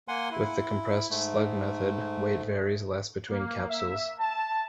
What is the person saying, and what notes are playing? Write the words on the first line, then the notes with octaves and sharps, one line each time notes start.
With the compressed slug method, weight varies less between capsules.
A#3 F#5 G#5 C6
E4
G#2 A3
A#3
E5
A5